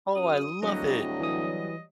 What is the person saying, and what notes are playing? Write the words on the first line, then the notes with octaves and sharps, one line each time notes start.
Oh, I love it.
F#2 D#6
D1 F#3 G3 D#5
E3 D#6